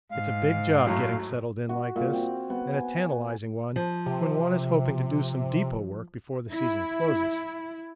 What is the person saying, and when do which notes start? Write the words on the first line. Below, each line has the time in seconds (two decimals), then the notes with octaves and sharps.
It's a big job getting settled in like this and a tantalising one when one is hoping to do some depot work before the season closes.
0.11 G#2 F5
0.86 F#2 A2 F#3
1.69 F#4
1.96 A#2
2.13 C4
2.50 B3
2.73 G#5
3.76 F3
4.06 C3
6.52 E4